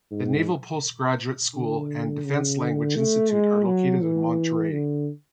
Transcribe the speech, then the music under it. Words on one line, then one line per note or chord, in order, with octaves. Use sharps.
The Naval Postgraduate School and Defense Language Institute are located in Monterey.
G#2
D3
C#3
D3
A3
G#3
F#3
E3
D3